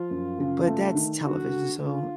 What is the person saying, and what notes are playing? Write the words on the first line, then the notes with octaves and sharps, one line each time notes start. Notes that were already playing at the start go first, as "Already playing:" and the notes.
But that's television, so
Already playing: F3 F4
F#2
C#3
A3
D#3
D3 F#4
D3
D3 F4